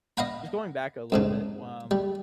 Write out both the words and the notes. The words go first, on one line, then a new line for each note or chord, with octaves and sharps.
just going back a little bit, um,
D#5 F5 F#5 B5
F2 G#2 C#3
G3